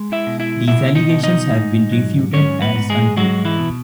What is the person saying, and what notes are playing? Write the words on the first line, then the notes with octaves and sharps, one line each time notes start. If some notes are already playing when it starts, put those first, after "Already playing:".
These allegations have been refuted as untrue.
Already playing: G#3
E4 E5
B2
E4 E5
B2 E4 E5
D#4 D#5
B2
D#4 D#5
G#2
F#3
G#2 C#4 C#5
B3 B4
G#2
G#3 G#4
F#3 G#3 F#4
E3 E4
B2